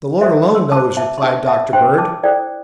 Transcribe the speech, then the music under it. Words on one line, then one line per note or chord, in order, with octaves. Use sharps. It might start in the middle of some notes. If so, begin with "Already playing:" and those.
"The Lord alone knows," replied Dr. Bird.
D4 A4 C5 E5
C6 E6
D4 A4 C5 A5 D6
E5 A5
C6
D4 G4 C5 E5 A5
E5 A5
D4 G4 C5 G5 C6
A5 D6
E4 A4 C5 D5 G5